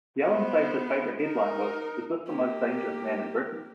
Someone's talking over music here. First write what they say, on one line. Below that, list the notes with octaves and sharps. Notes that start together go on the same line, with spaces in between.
Yelland says his favourite headline was Is this the most dangerous man in Britain?
B3 C5
D#4 A#4
A#3 G4